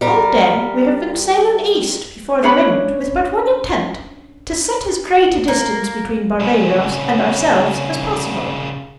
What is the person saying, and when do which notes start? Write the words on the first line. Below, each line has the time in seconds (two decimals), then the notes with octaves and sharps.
All day we have been sailing east before the wind with but one intent--to set as great a distance between Barbados and ourselves as possible.
0.01 G3 A#4
2.43 C#4 D4 C#5 B5
5.48 A#3
6.40 C2 C#3